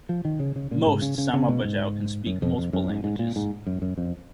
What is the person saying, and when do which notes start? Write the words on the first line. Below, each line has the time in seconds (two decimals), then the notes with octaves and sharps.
Most Sama-Bajau can speak multiple languages.
0.09 F3
0.25 D#3
0.40 C#3
0.56 C#3
0.71 A#2
0.87 G#2
1.02 C#3
1.18 C#3
1.33 C#3
1.48 B2
1.65 G#2
2.26 F#2
2.42 F2
2.58 F2
2.73 F#2
2.89 G#2
3.04 G#2
3.19 A#2
3.36 G#2
3.66 F#2
3.82 F#2
3.97 F2